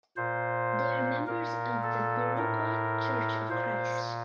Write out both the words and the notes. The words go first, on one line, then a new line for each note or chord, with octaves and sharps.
They are members of the Viroqua Church of Christ.
A#2 C5
A#2 A#4
A4
A2 A#4
A#2 C5